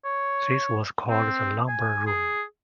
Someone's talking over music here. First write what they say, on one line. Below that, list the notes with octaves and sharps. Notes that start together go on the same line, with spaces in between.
This was called the lumber room.
C#5
C4
G#5
G#4